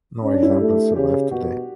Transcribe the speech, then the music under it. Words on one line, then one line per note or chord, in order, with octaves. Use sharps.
No examples survive today.
C#4
D4
E4
G4
A3
C#3 G4
B2 F#4